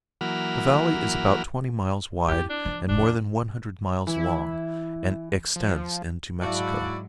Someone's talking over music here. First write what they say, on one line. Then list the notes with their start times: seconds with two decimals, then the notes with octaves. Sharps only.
The valley is about twenty miles wide and more than one hundred miles long and extends into Mexico.
0.21 E3 F#3 A#3 F#5 B5 F6
2.28 C4 E4 G4
2.50 D4
2.65 F3 F#3
2.89 F1 D4
3.01 F2
4.07 E3 E4
5.56 F3
6.42 G#2 F#3 E4 F#4 D5 F5 A5